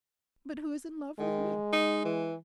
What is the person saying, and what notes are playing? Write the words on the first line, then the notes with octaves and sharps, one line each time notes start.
But who is in love with me?
D#3 G#3
D#4
E3